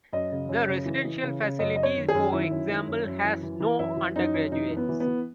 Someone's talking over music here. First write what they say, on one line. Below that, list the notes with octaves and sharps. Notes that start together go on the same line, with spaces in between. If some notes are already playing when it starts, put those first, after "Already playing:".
The residential facility, for example, has no undergraduates.
F#2 D#5
C#3
F#2
C#3
E3
E3
C#3
C#3
F#2 D#5
F#2 D#5
C#5
D#3
G#4
F#2
D#3 E4
F#2
D#3
F#2
F#2
E3
E3
E3
F#2 E4
E3
F#2 D#4
F#2
E3 D#4
E3
B3
E3
B3
E3